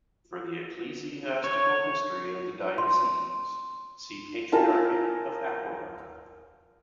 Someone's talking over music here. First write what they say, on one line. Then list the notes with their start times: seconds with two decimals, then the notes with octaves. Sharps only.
For the ecclesiastical history of the diocese, see Patriarchate of Aquileia.
1.44 C#5
2.78 C6
4.52 F4 A#4 G#5 A5